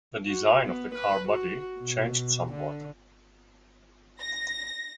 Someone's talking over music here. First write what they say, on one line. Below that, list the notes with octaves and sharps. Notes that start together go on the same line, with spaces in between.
The design of the carbody changed somewhat.
F#4
B3
B4
F#4
B2
D3
A#6